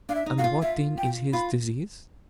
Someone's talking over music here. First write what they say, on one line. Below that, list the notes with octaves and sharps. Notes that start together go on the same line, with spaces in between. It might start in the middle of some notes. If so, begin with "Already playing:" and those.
'And what then is his disease?'
D4 F5
E5
D#4
F#4 F5
F4
F4 E5
G5
F4 B5